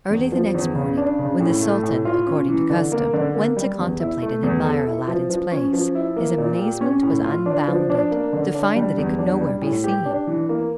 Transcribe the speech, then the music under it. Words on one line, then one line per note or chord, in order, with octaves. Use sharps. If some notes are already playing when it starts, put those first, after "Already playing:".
Early the next morning, when the sultan, according to custom, went to contemplate and admire Aladdin's place, his amazement was unbounded to find that it could nowhere be seen.
E2
F3
E2
C#3
D4
C#3
A2
A3
A2
F4
C#4
E3
D3
A#3
D3
A#3
G3
E2
E4
A3
E2
A4
E4
F3
F3
C#4
F3
E4
A#3
A#2
G4
C#4
A2
F4
D4
F3
D4
A#3
D3
D4
G3
E2
D4
G3
A2
G4
D4
E3
A#3